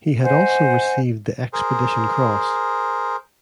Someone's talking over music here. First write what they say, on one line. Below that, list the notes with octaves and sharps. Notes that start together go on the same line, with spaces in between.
He had also received the Expedition Cross.
C5 D#5 F#5 G#5
G#4 A#4 C5